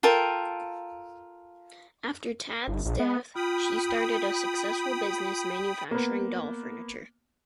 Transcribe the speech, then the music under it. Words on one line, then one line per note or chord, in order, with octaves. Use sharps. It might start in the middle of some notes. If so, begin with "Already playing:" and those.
After Tad's death, she started a successful business manufacturing doll furniture.
F4 A4 A#4 G5
G1
A#1
B3
F4 G5 B5 D#6
A#3 B3